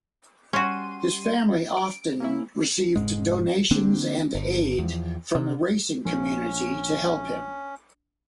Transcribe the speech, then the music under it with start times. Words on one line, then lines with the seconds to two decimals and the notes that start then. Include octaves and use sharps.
His family often received donations and aid from the racing community to help him.
0.53 G3 C#4 F#4 C6 D#7
1.77 D7
2.20 A#3 C#4 E4
2.96 F1 F2 G#2 G#3
3.71 D3 A#3 C4 D4
4.35 G1
4.78 E2 F3
5.35 C3
6.05 A#1 C#4